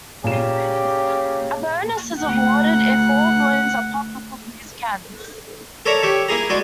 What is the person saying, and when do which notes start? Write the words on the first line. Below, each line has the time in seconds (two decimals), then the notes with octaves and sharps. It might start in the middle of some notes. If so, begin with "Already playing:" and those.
A bonus is awarded if all the balloons are popped before the music ends.
0.24 A#2 C#3 G4 E7
2.19 D2 F#5
5.86 A4 A#4 C#5 D5 E5 A#5
6.03 G4 C#5 E5
6.28 A#3 E4 G#4 A#5
6.50 G#3 F#4 D5 G#5